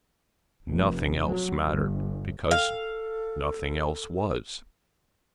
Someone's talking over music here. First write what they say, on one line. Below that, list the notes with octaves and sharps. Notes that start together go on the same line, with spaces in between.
Nothing else mattered, because nothing else was.
F1
F#3
G1
A4 F5